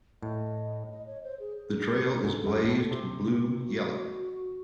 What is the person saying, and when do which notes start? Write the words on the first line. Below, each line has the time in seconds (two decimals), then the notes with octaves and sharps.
The trail is blazed Blue-Yellow.
0.22 A2 D#5
0.90 D#5
1.06 C#5
1.23 C5
1.39 G#4
1.57 G#4
2.24 G#2 A4
2.46 F#2
2.69 A2
2.91 C3
3.58 F#4